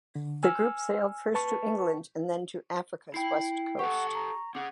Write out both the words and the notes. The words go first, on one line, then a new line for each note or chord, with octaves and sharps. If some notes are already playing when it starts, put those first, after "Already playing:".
The group sailed first to England and then to Africa's west coast.
D3
G#5 E6 F6
B4 A5 C#6
E4 G5 B5 C7
G4 A4 F#5 C#6
A#5
C#4 G#4 F#5 D6